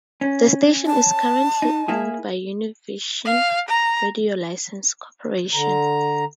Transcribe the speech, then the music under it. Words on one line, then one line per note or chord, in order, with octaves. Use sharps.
The station is currently owned by Univision Radio License Corporation.
C#4
A5
D#4
A#3 E4 G#4
F5
A#5
D3 A#5